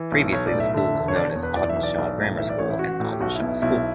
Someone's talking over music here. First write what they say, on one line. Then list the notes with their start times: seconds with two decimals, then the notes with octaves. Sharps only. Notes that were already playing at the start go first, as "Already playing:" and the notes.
Previously the school was known as Audenshaw Grammar School and Audenshaw School.
Already playing: E3
0.12 B1
0.32 B1 C#5
0.47 D5
0.53 A2
0.60 E5
0.74 D3 E5
0.95 E1
1.08 C#5
1.15 E1 D5
1.29 C#5
1.36 E2
1.43 B4
1.56 E3 D5
1.70 E5
1.76 B1
1.83 D5
1.98 B1
2.18 A2
2.38 E3 E5
2.49 D5
2.59 A1 C#5
2.70 E4
2.79 A1 F#4
3.00 A2
3.12 G4
3.20 B1 F#4
3.35 E4
3.42 B2
3.49 E4
3.62 B1 E4